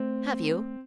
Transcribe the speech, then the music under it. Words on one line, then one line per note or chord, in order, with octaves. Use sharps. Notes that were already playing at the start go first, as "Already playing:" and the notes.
"Have you?"
Already playing: A3 C4